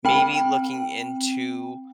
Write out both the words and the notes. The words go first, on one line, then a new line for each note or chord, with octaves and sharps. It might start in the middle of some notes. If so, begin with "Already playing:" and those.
maybe looking into
C4 G5